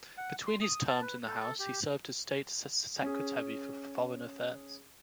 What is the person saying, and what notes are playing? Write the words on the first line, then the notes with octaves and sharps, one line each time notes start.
Between his terms in the House he served as State Secretary for Foreign Affairs.
F#5
C6
D#6
A5
B4
A4
A4
G4
C#4 G#4